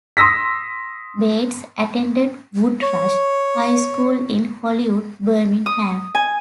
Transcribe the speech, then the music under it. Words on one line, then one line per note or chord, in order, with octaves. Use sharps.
Bates attended Woodrush High School in Hollywood, Birmingham.
C6 D#6 E6 A#6 B6
C#5
D#6
G#5